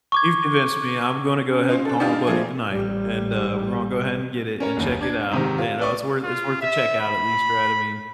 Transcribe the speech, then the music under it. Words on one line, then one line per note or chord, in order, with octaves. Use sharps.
You've convinced me. I'm gonna go ahead and call my buddy tonight, and, uh, we're gonna go ahead and get it and check it out, and, uh, it's worth it's worth to check out at least, right? I mean
C#6 D6 G#6
C#4
D#4 F4 C5
D3 D4 A4
G2 D4 D#4 F4 G4 F5
F3 A3 A#3 C4 G#4 D5
A1 G3
C#4 A#4 C#5
F#1 D#2
D4 G#6
G#2 C3 D#3
F4
B4 D5 C#6
F4
E5
B5